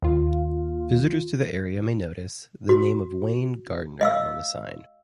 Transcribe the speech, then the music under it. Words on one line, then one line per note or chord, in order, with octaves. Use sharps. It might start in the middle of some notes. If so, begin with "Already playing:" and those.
Visitors to the area may notice the name of Wayne Gardener on the sign.
D#2 F4
F#4
D#5 F5 E6